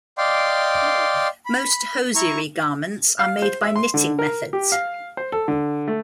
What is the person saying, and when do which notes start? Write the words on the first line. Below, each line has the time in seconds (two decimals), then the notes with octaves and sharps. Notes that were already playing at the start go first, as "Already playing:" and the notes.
Most hosiery garments are made by knitting methods.
0.18 D5 D#5 F5 G5 C6 D6
1.46 B5
2.15 E4 A#5 C#6
3.19 F5
3.42 C5
3.63 E5
3.76 C6
3.94 D3
4.19 A#4
4.53 G4
4.72 F5
5.17 C5
5.32 A4
5.48 D3
5.88 A3